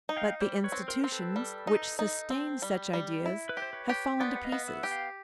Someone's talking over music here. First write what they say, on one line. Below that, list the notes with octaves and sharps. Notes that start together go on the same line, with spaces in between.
But the institutions which sustained such ideas have fallen to pieces.
D#4
F5 G5
G3 C5 D5
B4 C#5
C4
A#4 C5
C4 C5
A4 B4
G3
D#4
D#4
C4
G3
G3
E4
B4
G4
C5
B4 C#5
G4
B3 C5 D5
F#5
D#5 F5
B3
E5 F#5
G4
F5 G5